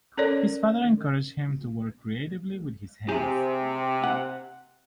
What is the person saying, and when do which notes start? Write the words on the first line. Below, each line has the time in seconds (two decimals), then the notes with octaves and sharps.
His father encouraged him to work creatively with his hands.
0.17 C#4 A4 A#4 C#5 D5
3.09 C3 G4 G#4
4.04 F#5